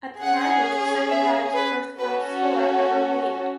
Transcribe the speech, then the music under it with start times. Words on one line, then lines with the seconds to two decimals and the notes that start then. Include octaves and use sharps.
At the time, it was the second highest first-class score ever made.
0.20 C#4 G#4 F#5
1.09 E5
1.54 B4
1.98 C#4 F#4 A4 B4